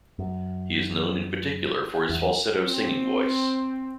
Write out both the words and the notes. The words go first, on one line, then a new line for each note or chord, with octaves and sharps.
He is known in particular for his falsetto singing voice.
F#2
E2
C4